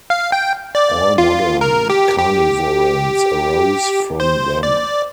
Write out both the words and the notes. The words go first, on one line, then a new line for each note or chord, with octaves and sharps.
All modern carnivorans arose from them.
F5
G5
D5
F4
A#4
G4
G4
C5
D5